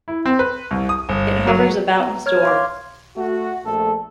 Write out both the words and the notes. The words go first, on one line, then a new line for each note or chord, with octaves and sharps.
It hovers about his door.
E4
C4
B4
C2
D#6
G1
F#3
B3 A#5
C#5 F6 G#6
F5 C6 D6
A3 F#4
A#1 A3 A4